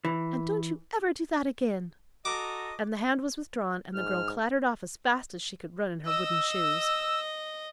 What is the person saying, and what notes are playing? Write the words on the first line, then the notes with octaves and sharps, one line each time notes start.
"And don't you ever do that again." And the hand was withdrawn, and the girl clattered off as fast as she could run in her wooden shoes.
E3
F#4 A4 D#5 A#5 D6
G#2 F6
D#5 E6